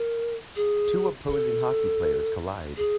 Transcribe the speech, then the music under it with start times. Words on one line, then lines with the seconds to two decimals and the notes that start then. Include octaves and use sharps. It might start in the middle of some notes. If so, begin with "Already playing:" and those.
Two opposing hockey players collide.
Already playing: A#4
0.56 G#4
1.31 A4
2.77 G#4